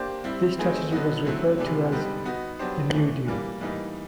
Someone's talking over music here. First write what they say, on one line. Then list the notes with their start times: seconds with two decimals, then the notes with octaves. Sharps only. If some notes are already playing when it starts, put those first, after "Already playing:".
This strategy was referred to as "The New Deal".
Already playing: A#3 D4 G4 C5
0.24 G3 C4 E4
0.58 A3 C4 D#4 G#4 B4
0.91 D3 F#3 B3 D#4 F#4
1.25 D3 F#3 A3 C4 E4
1.58 C3 E3 G#3 B3 D4
1.91 D3 G3 B3 D#4 G4
2.25 B3 D#4 F#4
2.59 F#3 B3 D4 G4 C5
2.92 E3 A3 D4
3.27 E3 G3 A#3
3.60 A2 E3 G3 A#3 D#4